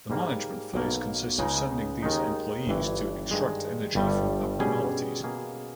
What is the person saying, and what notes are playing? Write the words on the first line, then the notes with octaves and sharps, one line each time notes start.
The management phase consists of sending these employees to extract energy from Abnormalities.
G#2 G3 A#3
B1 B2 A#3
C#2 C#3 G#3 D#4
D#2 D#3 G#3 D#4
G1 G2 E3
G2 D#3 G#3
G1 G2 G3
B2 G3 C#4 G#4
B2 A#3 C#4 G#4